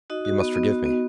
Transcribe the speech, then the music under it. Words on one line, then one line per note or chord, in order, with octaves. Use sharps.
You must forgive me.
D#4 F#4 D#5
F#4
B3
B3
F#4
B3